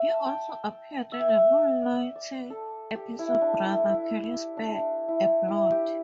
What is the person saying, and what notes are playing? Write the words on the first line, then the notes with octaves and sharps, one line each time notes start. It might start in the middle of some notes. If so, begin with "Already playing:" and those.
He also appeared in the Moonlighting episode Brother, Can You Spare A Blonde?
Already playing: E5
A5
G5
E5
G5
E5
D5
D5
A4
G4
E4
D4
E4
E4
D4
E4
D4
E4
E4
G4